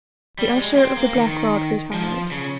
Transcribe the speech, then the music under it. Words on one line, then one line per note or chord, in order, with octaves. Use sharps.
The Usher of the Black Rod retired.
G3
G#3
C4
A#3
D#3
F3
C#3